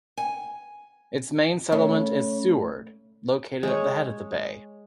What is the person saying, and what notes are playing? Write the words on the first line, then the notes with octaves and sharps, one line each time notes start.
Its main settlement is Seward, located at the head of the bay.
G#5
C#3 A3
G#3 C#5